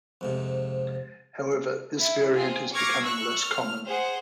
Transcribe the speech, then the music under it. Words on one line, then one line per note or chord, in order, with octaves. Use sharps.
However this variant is becoming less common.
F2 G#2 C3
E4
C4 F4 G#4
C#6 D6 F6 G#6 A#6 C7
C#6 E6 F#6
F6
G#4 C5 F#5